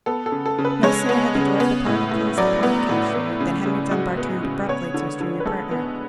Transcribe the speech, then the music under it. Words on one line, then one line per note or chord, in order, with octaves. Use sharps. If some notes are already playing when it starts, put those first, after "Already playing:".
No sooner had the door of the parlour closed upon the cashier than Henry Dunbar turned abruptly to his junior partner.
B3 A4
A4
C#3
A4
C#3
B4
G#3 C#5
B3
C#3
B3
A2
A2
F#3 D5
B3
A2
B3
C#3
C#3
G#3 F#4
B3
C#3
B3 C#5
D3
D3
B4
G#3 A4
B3